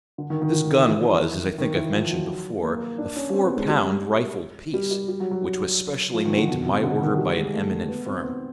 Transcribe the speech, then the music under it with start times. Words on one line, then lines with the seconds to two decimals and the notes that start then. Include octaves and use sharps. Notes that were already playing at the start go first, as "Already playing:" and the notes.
This gun was, as I think I have mentioned before, a four-pound rifled piece, which was specially made to my order by an eminent firm.
0.18 D3
0.30 D#3
0.42 D#3
0.88 E3
1.58 D#3
1.76 E3
1.93 F3
2.11 F#3
2.63 A#3
2.98 D4
3.16 C#4
3.33 C4
3.44 B3
3.57 G#3
3.69 G3
4.74 G3
4.91 G3
5.08 G3
5.20 F#3
5.31 F#3
6.14 F3
6.25 D#3
6.37 D3
6.49 B2
6.66 C3
6.84 D3
7.01 D#3
7.18 G3
7.36 G#3
7.54 A3
7.89 B3
8.06 C4
8.23 B3